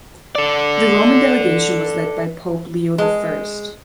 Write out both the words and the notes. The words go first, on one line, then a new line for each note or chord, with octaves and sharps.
The Roman delegation was led by Pope Leo the First.
A4 D5
G#3